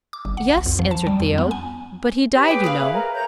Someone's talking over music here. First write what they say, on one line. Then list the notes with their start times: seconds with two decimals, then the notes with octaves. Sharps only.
"Yes," answered Theo; "but he died, you know."
0.13 D6
0.25 G1
0.37 F#5
0.50 B1
0.66 F2
0.79 F3
0.91 A5
1.07 G3
1.20 F2
1.38 B3
1.51 G#5
2.34 G4 B4 C#5
2.48 G#4 G5 D6
2.64 G#4 B4 F5
2.80 C#5 E5
2.93 A#4 A#5
3.14 C#5 A#5 G6